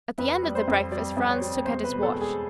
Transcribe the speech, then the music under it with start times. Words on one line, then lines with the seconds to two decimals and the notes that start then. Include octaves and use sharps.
At the end of the breakfast Franz took out his watch.
0.18 F2 B4
0.43 G3
0.55 C5
0.68 F2
0.92 G3 D5
1.17 F2
1.29 C#5
1.41 G3
1.65 E2 C5
1.84 B4
1.90 B2
2.03 A4
2.15 G#3
2.21 G#4